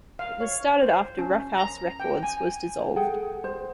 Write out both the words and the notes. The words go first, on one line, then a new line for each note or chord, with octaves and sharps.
It was started after Ruffhouse Records was dissolved.
F5
C#5
C5
C#4
A#5
G5
G#5
G#4 A4 F#5 G5
C5